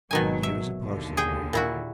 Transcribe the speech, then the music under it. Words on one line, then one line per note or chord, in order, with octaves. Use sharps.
"Here is a parcel for you."
G#1 B2 D#3 F#3 G#5
E5
D#2 D3
G#4 G5
A#2 E4 F#4